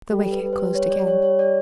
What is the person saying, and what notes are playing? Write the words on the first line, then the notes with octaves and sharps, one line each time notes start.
The wicket closed again.
G3 A4
B4
G3 B4
C5
C#5
D5
C#5
C#5
D5